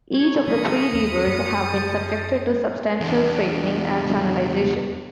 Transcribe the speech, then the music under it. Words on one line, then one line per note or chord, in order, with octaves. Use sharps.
Each of the three rivers have been subjected to substantial straightening and channelization.
C#5
F3 A3 C4 A#4 F5 B5 D#6 C#7
D#2 F3 C#4
F#2
C#4 C5 A5
E2 D4